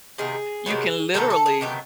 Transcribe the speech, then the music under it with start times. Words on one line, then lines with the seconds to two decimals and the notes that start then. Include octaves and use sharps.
you can literally
0.18 C3 D#3 B3 G#4
0.66 C3 D#3 F#3 B3
1.14 C3 D#3 F#3 B3 A4
1.30 A4
1.46 G#4
1.61 C3 D#3 F#3 B3 G4